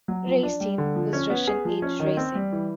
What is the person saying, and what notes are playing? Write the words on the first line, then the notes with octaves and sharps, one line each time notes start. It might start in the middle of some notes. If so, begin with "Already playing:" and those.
Race team was Russian Age Racing.
F#3
F3
D4
G3
D3
F3
C#4
B3
G#4
F3
C#4
D#3
C4
G3
E3